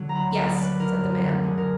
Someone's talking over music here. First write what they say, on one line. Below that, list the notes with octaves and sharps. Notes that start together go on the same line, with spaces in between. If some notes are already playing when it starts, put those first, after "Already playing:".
"Yes," said the man.
Already playing: D3 F#3
A#5
D2 B5
B5
A#3
D5
F#3 B4
D3 A#4
F#2
D3
D3 G#4
A#4